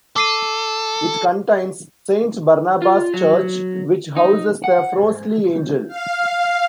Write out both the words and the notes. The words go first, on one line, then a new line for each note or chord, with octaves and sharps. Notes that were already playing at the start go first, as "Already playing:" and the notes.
It contains Saint Barnabas' Church, which houses the Frostley Angel.
A4 D6 C7 D#7
F4
F#3
D#4
F#5
G#2
F5